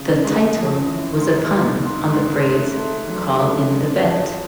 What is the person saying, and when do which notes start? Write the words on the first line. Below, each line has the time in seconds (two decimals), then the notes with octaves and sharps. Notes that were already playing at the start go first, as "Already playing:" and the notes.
The title was a pun on the phrase 'call in the vet'.
Already playing: C#3
0.25 G#3
0.56 F2
0.88 E3
1.19 G#2
1.51 D#4
1.82 G#2
2.13 G#2
2.45 A3
2.76 A3
3.07 F#3
3.39 A3
3.70 G#3
4.02 F2